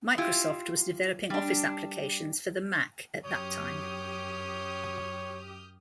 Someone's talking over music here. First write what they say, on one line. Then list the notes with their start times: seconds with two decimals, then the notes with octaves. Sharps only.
Microsoft was developing office applications for the Mac at that time.
0.18 E4 F4 G4
1.30 G3 D4
3.25 F#2 G4 C#5 D#6 F6 G6